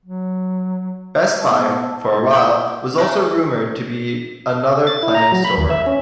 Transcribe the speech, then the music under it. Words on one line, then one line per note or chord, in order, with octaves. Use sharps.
Best Buy, for a while, was also rumored to be another planned store.
F#3
B3 A5 E6
E4 F#5 G5
G#3 A3 D4
A6
E4
A#5
F#3
B5
D#2
E5
C#4